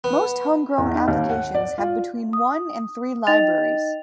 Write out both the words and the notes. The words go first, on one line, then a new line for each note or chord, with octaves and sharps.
Most homegrown applications have between one and three libraries.
B3
E2
D#4
D#2
F#5
D5
F4
D#6
D#4 D#5 G5 A6 F7